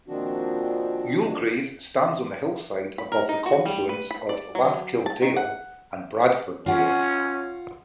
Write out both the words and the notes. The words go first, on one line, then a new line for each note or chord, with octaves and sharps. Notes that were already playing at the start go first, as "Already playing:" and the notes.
Youlgrave stands on the hillside above the confluence of Lathkill Dale and Bradford Dale.
A#2 D#3 F3 C4 D4 F#4
B5
A#4
D#4
F#4
G3
B4
B5
D5
F#3
A5
D#3
F#5
C#4 F4 F#5